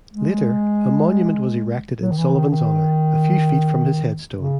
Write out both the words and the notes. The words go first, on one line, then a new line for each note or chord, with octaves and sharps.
Later, a monument was erected in Sullivan's honor, a few feet from his headstone.
G#3
F#3
D#3
E3
D#3
D#3
C#3